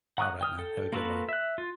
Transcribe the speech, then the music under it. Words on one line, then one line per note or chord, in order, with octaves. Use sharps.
Alright, man, have a good one.
F#5 A#5 C#6 D#6 F#6
G5 D#6 F6
A4 G5
A#3 F4 F#4 A4 B4
E5 F#6
F4